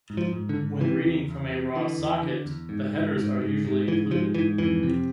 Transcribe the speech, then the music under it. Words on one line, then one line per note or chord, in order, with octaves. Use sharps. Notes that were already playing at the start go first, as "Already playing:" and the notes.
When reading from a raw socket, the headers are usually included.
G#2
F3
G#2
D3
G#2
C3 E3
E2
E2
C3
D3 E3
E2
D3
E2
G#2
G#2
G#2
G#2
G#2
G#2 E3
G#2 F3
G#2 E3
F2 E3
C3